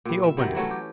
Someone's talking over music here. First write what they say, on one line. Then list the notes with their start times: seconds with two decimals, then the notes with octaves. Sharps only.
He opened it.
0.05 A#2 G3
0.24 E5
0.37 G2 C3 D#3 F#3
0.55 E3 F#3 A3 C#4
0.71 G4